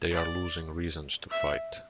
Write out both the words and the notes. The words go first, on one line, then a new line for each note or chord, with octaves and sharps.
They are losing reasons to fight.
D5
E5